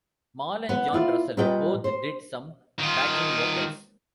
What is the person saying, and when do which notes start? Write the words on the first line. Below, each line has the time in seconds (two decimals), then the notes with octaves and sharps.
Mal and John Russell both did some backing vocals.
0.69 B3
0.93 E4 F4 D5
1.37 A#2 G3 B4 D5 D#5 G5
1.84 C5
2.79 D#3 F4